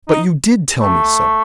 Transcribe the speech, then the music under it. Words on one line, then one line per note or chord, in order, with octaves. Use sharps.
"But you did tell me so."
D#4
A3